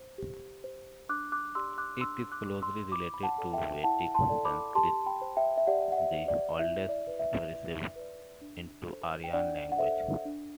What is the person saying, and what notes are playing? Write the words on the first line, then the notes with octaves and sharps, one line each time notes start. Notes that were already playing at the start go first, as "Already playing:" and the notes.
It is closely related to Vedic Sanskrit, the oldest preserved Indo-Aryan language.
Already playing: C5
G4
C5
D4 D6 F#6
D6 F#6
G4 D5 C6 E6
D6 F#6
D4 C6 E6
D6 F#6
G4 D5
C6 E6
E4 B5 D6
B5
F#5 A5
A4 D5
E5 G5
E4 F#5 A5
A5 C6
A4 D5
B5 D6
G4 A5 C6
G5 B5
C5
E5 G5
E5
G4 D5 F#5
F#5
E5
C5
D5
E4 E5
D5
B4 D5
E5
E4
B4 D5
D4
A4 C5
G5
D4 D5 F#5
F#5
A4 C5 E5
D4